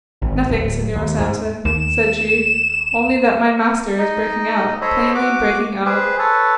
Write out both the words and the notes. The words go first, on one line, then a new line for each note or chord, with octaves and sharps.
"Nothing, Senor Samson," said she, "only that my master is breaking out, plainly breaking out."
G#1
D1
D#2
G#2
D#2 E7
D#4 D#5
A4 C5 C#5 D#5 B5
F#4 D6
G#4 B4 C5
A4 B4 C#5 A5